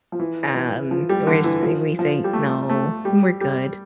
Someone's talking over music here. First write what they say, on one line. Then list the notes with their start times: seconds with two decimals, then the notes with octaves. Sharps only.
Um, we're sa we say "No, we're good."
0.12 F3
0.20 E3
0.55 E3
0.91 F3
1.09 G3
1.27 D3
1.44 E3
1.63 F3
1.99 F3
2.24 G3
2.33 A3
2.69 A3
3.05 G3
3.41 G3